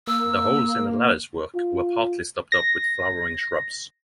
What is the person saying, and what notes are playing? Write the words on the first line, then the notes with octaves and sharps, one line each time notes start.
The holes in the latticework were partly stopped up with flowering shrubs.
A#3 E6
F4
A#6